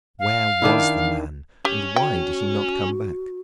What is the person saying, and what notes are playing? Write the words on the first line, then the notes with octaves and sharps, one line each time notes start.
Where was the man, and why did he not come back?
F5
D#3 D4 E4
C#4 G4
F#4 G5